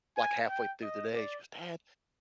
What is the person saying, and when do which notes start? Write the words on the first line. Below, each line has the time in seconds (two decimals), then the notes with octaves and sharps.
like, halfway through the day, she goes, "Dad,
0.17 G#5
0.49 G5
0.82 D#5
1.14 D5